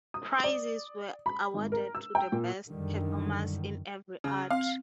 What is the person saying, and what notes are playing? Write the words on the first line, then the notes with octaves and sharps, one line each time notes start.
Prizes were awarded to the best performers in every art.
D#6
D5
B5
G#1
A#4
E6
G5
A#2
F#2 D3 D#3 G3
C#3
C4 F5